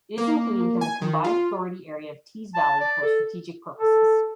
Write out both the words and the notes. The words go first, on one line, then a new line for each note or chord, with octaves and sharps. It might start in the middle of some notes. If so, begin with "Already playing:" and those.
It is included within the combined authority area of Tees Valley for strategic purposes.
A#3
G#5
D#3
F4
A5
D5
A4
A4